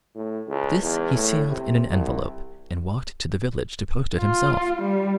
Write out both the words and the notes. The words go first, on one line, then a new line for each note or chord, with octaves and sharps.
This he sealed in an envelope, and walked to the village to post it himself.
A2
C#2
E2
A2
C3
C2
F4
G3